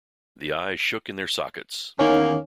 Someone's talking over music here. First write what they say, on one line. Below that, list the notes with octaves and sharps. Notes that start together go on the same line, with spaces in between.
The eyes shook in their sockets.
E2 D#3 A#3 C#4